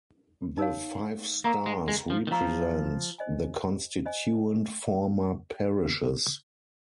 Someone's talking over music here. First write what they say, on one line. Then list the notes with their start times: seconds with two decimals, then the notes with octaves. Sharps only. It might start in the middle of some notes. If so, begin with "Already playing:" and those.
The five stars represent the constituent former parishes.
0.58 D#4 A#4 C#5 F5
1.44 A#3 A#4 F5 A#5 C#6
1.66 G#3
1.88 G#3
2.10 F3
2.27 D#3
2.31 F3 A#4 F5 A#5 C#6
3.18 C5 D#5 G#5
4.06 C5 D#5 G#5